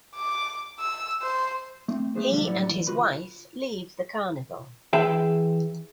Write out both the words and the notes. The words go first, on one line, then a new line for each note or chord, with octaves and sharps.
He and his wife leave the carnival.
D6
E6
C5
A3 C4
G#3 A3 B3 G#4 C5
B2 D3 F3 G3
A2 F#3 E4 B4 D5 F#5
E3
D2 F4 F#4 B4 B5
E3 G#4 E5 G5